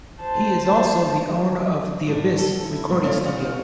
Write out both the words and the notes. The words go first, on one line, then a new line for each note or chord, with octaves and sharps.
He is also the owner of "The Abyss" recording studio.
C5 A5
G#2 C#3 D4
F#2 A4
E4
G2 B2
A3 C4 E4 C#5 D5 F5
C#4 D#4 F5 F#5